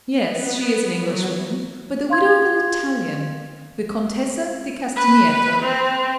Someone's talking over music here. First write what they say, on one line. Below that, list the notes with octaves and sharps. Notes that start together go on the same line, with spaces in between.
"Yes, she is an Englishwoman, but the widow of an Italian--the Contessa di Castagneto."
B3
F#3
F5 C6 G#6
B4
C4